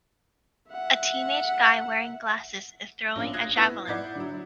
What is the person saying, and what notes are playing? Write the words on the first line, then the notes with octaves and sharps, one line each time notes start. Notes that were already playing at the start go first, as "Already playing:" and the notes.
A teenage guy wearing glasses is throwing a javelin.
E5 F#5
A#1 C#4 D4 F5
D#6 F#6 G#6 A#6 C7
B3 E4
E4 D5 F#5 G6 G#6 C7
D3 F#3 E4